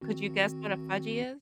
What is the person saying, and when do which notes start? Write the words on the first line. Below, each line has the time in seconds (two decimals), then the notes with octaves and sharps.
Could you guess what a "fudgy"
0.01 D#3 C4 F#4